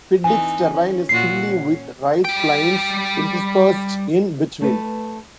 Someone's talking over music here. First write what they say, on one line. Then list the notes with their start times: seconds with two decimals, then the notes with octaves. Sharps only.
Piddig's terrain is hilly with rice plains interspersed in between.
0.24 E3 C4 D#4 G#5
0.72 C#4
1.09 A#2 F4 F#4 C7
1.45 C#4
2.25 G3 G5
4.61 A3 B4